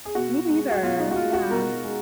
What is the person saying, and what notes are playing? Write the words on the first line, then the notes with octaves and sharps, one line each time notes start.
Me neither, yeah.
G#4
B2 F#4
G#3
F#4
B2 F4
D#4
F#4
G#3 F4
F#4
B2 A#4
G#3